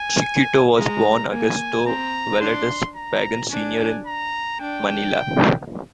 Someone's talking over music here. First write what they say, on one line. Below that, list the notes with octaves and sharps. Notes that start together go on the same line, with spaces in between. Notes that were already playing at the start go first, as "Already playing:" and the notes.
Chiquito was born Augusto Valdes Pangan, Senior in Manila.
Already playing: G#5
G#3 A#5
A#3 G#5
C4 A#5
D4 C6
A#5
D4 G#5
A#5
D4 G5